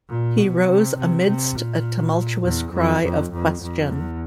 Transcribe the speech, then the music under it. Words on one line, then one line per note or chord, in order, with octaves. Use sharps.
He rose 'amidst a tumultuous cry of Question!
A#2
B2
C3
C3
C3
A#2
E2
F2
F2
F2
F2
E2